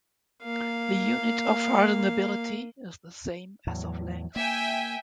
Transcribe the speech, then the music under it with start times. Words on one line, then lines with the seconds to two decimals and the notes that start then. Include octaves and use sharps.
The unit of hardenability is the same as of length.
0.43 A#3 F5
3.67 E2 A2 F#3
4.36 A#3 E5 G5 G#5